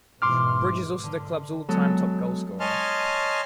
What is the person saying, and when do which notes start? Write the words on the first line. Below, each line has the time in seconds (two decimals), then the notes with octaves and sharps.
Bridge is also the club's all-time top goalscorer.
0.22 G#2 B2 E3 C6 D6 F6
1.04 D3
1.69 F#3 G#3 B3 A4
2.60 C#5 D#5 G#5 A5 C6 F6